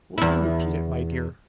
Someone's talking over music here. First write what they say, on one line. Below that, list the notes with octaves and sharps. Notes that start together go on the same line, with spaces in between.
Will you repeat it, my dear?'
E2 E4